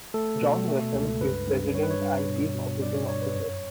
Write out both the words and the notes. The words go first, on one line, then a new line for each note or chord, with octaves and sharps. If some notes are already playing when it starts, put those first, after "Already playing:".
John Wasson is president and chief operating officer.
A3 A4
B2
A3
C#2
G2 B4
G2
G2 C#5
B4
C#5
G2
B2
B2
G2 D5
C#5
G2 C#5
B4
F#2 C#5